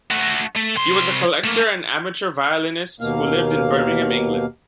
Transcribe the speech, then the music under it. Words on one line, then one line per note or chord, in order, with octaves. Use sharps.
He was a collector and amateur violinist who lived in Birmingham, England.
A3 F#4
A3
C2 C6
A3 A#3
D#2 B2 A#3 F5